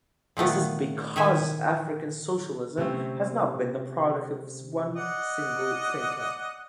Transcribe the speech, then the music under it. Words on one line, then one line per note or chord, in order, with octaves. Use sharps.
This is because African socialism has not been the product of one single thinker.
A#2 D#3 A3 B3
D#3 E5 G#5
C3 A3 C4 C#4
D5 D#5 F#5